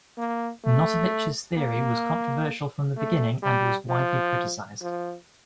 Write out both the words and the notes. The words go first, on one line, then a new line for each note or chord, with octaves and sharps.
Notovitch's theory was controversial from the beginning and was widely criticized.
A#3
A3
A#3
A3
G3
F3
F3